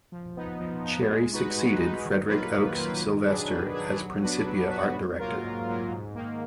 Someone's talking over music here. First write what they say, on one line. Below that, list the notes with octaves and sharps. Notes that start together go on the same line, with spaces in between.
Cherry succeeded Frederick Oakes Sylvester as Principia art director.
F3
B3 D#4
F3
B3 D#4
G#3
D#4 F#4 B4
G#3
D#4 F#4 B4
D#3
F#3 A#3 F4 B4
D#3
F#3 A#3 F4 B4
D#3
F#3 D4 G#4 B4
D#3
F#3 D4 G#4 B4
F#3
B3 D4 F#4 B4
F#3
B3 D4 F#4 B4
G#2
F#3 A#3 F4 A#4
G#2
F#3 A#3 F4 A#4
G#2
D#3 A#3